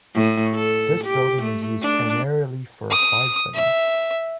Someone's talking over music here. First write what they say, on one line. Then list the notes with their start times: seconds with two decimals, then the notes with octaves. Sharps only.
This building is used primarily for applied studies.
0.15 A2
0.55 A4
1.04 G4
1.42 A3
1.82 D4
2.91 D#6
3.54 E5